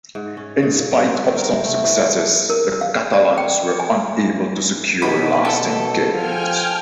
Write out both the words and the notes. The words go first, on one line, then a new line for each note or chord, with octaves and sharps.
In spite of some successes, the Catalans were unable to secure lasting gains.
G#2
C#4
G#2
A#2
G2
C4
D#3
A#4
C3
A3
E3
F3
A#4
F5
D5
G5
G#5
B2 C#4 D#4 F#4 B5
A4
F3 G5 G#5 F6